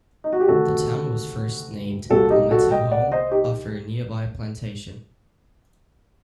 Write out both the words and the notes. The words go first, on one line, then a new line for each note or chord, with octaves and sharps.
The town was first named Palmetto Home, after a nearby plantation.
D#4
F#4
G4
D2 C3 D#3 F#4 A4
C2 C3 G3 A#3 F#4 A4
D#4 G4
F#4 A4
D#5 G5
D5 F#5
C5 D#5
D#4 G4